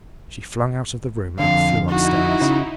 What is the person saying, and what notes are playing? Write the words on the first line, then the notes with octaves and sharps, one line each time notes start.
She flung out of the room and flew upstairs.
F2 D3 F5
D#4 E4 F#4
C#3